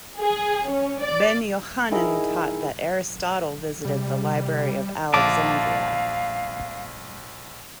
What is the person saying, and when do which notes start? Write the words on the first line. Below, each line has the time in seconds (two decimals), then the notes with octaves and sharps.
Ben-Jochannan taught that Aristotle visited the Library of Alexandria.
0.19 G#4
0.69 C#4
1.02 D5
1.91 D#3 E4 G#4 A#4
3.85 C3 G3
5.14 A#1 F5 A5 D6